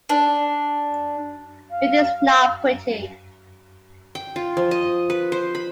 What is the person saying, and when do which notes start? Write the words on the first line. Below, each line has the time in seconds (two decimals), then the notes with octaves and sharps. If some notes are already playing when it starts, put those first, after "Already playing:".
It is not pretty.
0.09 D4
1.70 F5
4.15 G5
4.36 F4
4.57 F3
4.71 D#5
5.10 B4
5.32 C5
5.55 B5